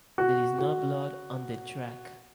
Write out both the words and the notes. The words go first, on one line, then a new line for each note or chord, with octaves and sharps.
There is no blood on the track.
F#4
F#4